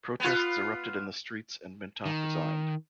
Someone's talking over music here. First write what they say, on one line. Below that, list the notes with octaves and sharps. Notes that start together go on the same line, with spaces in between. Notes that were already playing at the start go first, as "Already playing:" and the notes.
Protests erupted in the streets and Mintoff resigned.
B3 F4
D#3